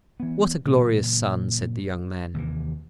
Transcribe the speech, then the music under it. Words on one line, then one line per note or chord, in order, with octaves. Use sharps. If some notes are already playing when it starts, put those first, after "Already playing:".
"What a glorious sun," said the young man.
E3 B3
A#2 C#3 E3 F#3
D#2 C3 E3